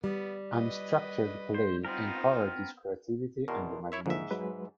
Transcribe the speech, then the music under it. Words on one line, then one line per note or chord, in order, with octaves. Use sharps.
Unstructured play encourages creativity and imagination.
G3 B3
B4 D#5
C5
B3 C4 D#4 F4 A#4 C5
E2 B2 A#4 C6
E4 C#5 E5
G#2 D3 F3 A#3 E5
F#3 G#3 B4